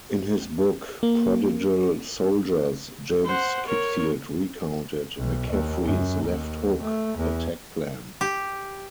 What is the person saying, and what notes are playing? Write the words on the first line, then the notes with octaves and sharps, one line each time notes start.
In his book "Prodigal Soldiers," James Kitfield recounted McCaffrey's "left hook" attack plan.
A#3
C5 F#5
A#4 C#5
B1
D#2
F#2
D#2
A3
E2
G4